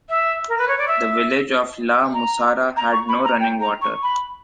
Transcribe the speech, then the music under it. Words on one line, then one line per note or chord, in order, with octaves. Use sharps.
The village of la Mussara had no running water.
E5
A#4
B4
C#5
D5
E5
A#5
A#5
C#6
B5
A#5
G5
A#5
C#6
B5